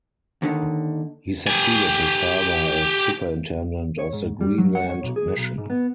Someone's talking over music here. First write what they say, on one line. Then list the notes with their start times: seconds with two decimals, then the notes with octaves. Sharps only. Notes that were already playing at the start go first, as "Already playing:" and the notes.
He succeeded his father as superintendent of the Greenland mission.
0.42 D#2 D3 D#3
1.47 G4 G#5
3.99 C#5
4.13 G#2
4.41 G3
4.58 F#3
4.75 F#5
4.89 C#5
5.03 B1
5.16 G#4
5.37 B1
5.58 G#2
5.70 B3